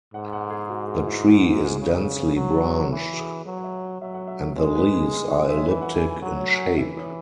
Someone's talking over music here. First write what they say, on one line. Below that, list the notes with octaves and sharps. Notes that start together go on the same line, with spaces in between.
The tree is densely branched and the leaves are elliptic in shape.
G#2 F#5
F#5
G#4
F#4
F#4
E4
F#4
F#4
E4
G#4
C#3
F#3
C#5
E3 B4
F#4
G#4
F#3 B4
C#5
E5
F#3 E5
F#5
E5
G#3 C#5
B4
G#4
E5
C#5
E3 B4
F#5
G#5
G#5
F#3 F#5
C#5
G#5
F#5
E3 E5
C#5